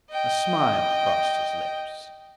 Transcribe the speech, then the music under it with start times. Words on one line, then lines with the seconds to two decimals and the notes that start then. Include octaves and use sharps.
A smile crossed his lips.
0.10 D#5 G5